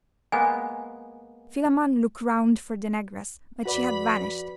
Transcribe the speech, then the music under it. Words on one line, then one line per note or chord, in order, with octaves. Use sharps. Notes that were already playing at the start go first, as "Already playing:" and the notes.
Philammon looked round for the negress, but she had vanished.
G#3 A#3 B3 G#5
F2 F#4 B4 D5 B5 B6